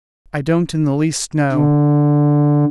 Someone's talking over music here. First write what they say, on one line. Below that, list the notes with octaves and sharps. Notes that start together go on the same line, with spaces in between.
"I don't in the least know."
D3